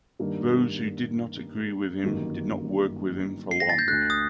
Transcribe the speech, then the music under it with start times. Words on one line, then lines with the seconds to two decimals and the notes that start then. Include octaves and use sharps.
Those who did not agree with him did not work with him for long.
0.19 G2 D#3 G3 A#3 D4
2.03 G1 F#2 D#3 G3 A#3
3.51 C7
3.60 A#6
3.69 A6
3.79 G6
3.88 D2 D3 A3 F#6
4.10 D#6